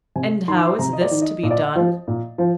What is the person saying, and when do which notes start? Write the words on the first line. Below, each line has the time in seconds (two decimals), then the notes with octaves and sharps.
"And how is this to be done?"
0.16 C3 G#5
0.48 D#3 C6
0.57 D6
0.66 C6
0.79 C3 A#5
0.93 D#5
1.01 D5
1.11 D#3
1.22 D#5
1.43 A#2 D#5
1.51 D5
1.58 D#5
1.76 F3
2.08 A#2
2.38 F3